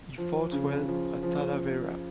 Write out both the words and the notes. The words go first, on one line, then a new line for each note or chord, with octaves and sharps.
He fought well at Talavera.
F3
C#3
F3
F3